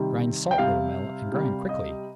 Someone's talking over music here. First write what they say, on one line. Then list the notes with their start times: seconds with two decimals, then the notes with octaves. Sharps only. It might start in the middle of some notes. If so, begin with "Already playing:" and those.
"Grind salt, Little Mill, and grind quickly!"
Already playing: C3 D#3 G3
0.51 G5
0.58 C3 G3 F5
1.32 C3 G3
1.69 D#5